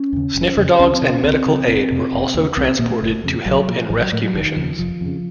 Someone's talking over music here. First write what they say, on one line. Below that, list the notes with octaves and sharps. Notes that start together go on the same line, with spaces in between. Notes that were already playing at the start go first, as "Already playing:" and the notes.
Sniffer dogs and medical aid were also transported to help in rescue missions.
Already playing: C#4
D#2 C#3
F#1
F2 C#3
C#2 C#4
C4
C3
C#4
C#2 C4
C#3
F1 C4
F2 C3
F1
D#2 C#3
C2 C4
C4
A#2 A#3
A3
F#1
F2 C#3
A#1 F#3
A#2 F3
A1 F3
F#3
A2 A3
F#3
F1 D#3
D#2 C#3 F3
F1 F3
F2 C#3